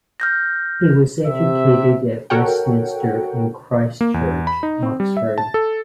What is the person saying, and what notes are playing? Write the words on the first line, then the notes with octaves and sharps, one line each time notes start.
He was educated at Westminster and Christ Church, Oxford.
F6 G6 A#6
C3 E5
F#4 A4 A#4 C#5 F#5 G5
A#3
E2
B5
D#4
C4
G3
E5
A5
A4